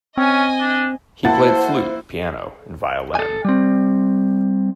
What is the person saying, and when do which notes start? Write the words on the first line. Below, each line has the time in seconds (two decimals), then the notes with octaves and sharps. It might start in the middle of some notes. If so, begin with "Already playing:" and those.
He played flute, piano, and violin.
0.18 C4 C#4 D#5 G#5
0.60 D4
1.25 A#3 E4 C5 F#5 A5 A6
3.15 A4 G#5
3.45 G3 C4